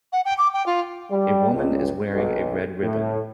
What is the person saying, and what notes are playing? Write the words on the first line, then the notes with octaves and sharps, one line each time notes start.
A woman is wearing a red ribbon.
F#5
G5
D6
G5
F4
G3
C#2
B1
A2